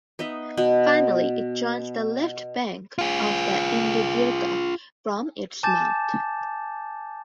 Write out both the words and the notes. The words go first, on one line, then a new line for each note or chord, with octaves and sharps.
Finally it joins the left bank of the Indigirka from its mouth.
B3 D#4 D#5 E5
B2 B3
F4 G#4
G#5 A5 D6 G6 A6 E7